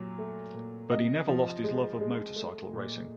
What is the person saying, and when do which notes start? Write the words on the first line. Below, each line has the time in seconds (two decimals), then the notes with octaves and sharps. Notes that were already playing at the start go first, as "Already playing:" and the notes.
But he never lost his love of motorcycle racing.
Already playing: A#2 F#3
0.18 A3
0.54 A#2
0.91 C3 D#5
1.28 F3
1.64 G#3
2.01 G#3
2.36 A3
2.74 A#2